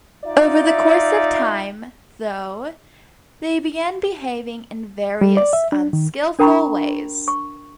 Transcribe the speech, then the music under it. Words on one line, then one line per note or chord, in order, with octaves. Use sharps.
Over the course of time, though, they began behaving in various unskillful ways.
D#4 F4 D5 E5
G3
D5
E5
D4
D#3
D4 A#4 G5 A#5 B5 C#6
C#6